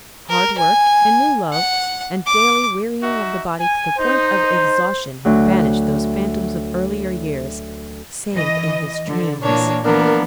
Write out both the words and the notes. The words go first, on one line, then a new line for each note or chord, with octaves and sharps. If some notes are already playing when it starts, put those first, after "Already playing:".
Hard work and new love and daily wearying of the body to the point of exhaustion had banished those phantoms of earlier years, save in his dreams.
A#4
G#5
F#5
D6
D#4 F#4 E5
G#5
D#4 C5
D2 F#3
E3 D#5
D3
A#2 E3 A#3 D4 C#5
E3 F3 A#3 B3 D4 A#4